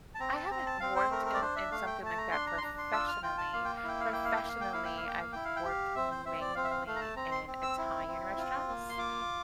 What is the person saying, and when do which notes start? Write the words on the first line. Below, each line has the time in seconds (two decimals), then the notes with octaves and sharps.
I haven't worked in in something like that professionally. Professionally, I've worked, mainly, in Italian restaurants,
0.15 A5
0.20 C4 A#5
0.36 A5
0.50 C4 A#5
0.66 A5
0.80 C4 F5
0.96 C5
1.10 A3 A#4
1.26 A#4
1.34 D5
1.41 D4 C5
1.56 E5
1.71 A3 F5
1.86 G5
2.02 A3 A5
2.18 A#5
2.32 D4 C6
2.47 A#5
2.58 C6
2.62 D4 A#5
2.78 C6
2.92 F4 E6
3.08 F6
3.23 F4 G5
3.38 A5
3.53 A#3 F5
3.65 G5
3.77 F5
3.84 E4 G5
4.00 F5
4.13 A#3 G5
4.25 F5
4.37 G5
4.43 A#3
4.48 F5
4.61 G5
4.73 E4 F5
4.85 G5
4.97 F5
5.04 A#3 G5
5.20 F5
5.33 E4 G5
5.45 F5
5.56 G5
5.65 G4 F5
5.95 C4 E5
6.11 C5
6.26 C4 E5
6.41 D5
6.55 C4 F5
6.64 E5
6.71 F5
6.87 A3 F5
6.96 A#5
7.01 A5
7.16 C4 A#5
7.31 C6
7.47 C4
7.62 E6
7.78 E4
8.08 C4
8.38 F4
8.68 A#3
8.89 C6
8.98 F4 D6